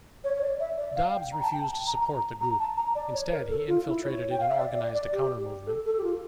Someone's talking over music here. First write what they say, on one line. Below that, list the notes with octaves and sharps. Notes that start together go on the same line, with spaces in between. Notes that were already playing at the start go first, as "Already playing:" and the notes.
Dobbs refused to support the group; instead, he infiltrated it and organized a counter-movement.
C#5
C#5
D5
E5
D5
F5
G5
A#5
A5
G5
A5
A#5
A#5
A#5
A5
A#5
D5
C#5
A#4
A4
F4
E4
C#5
G5
F5
E5
D5
D5
D5
G4
A4
A4
G4
F4